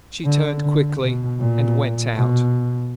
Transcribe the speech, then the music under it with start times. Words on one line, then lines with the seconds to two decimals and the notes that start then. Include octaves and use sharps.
She turned quickly, and went out.
0.25 D3
0.63 D3
1.01 B2
1.39 A#2
2.15 B2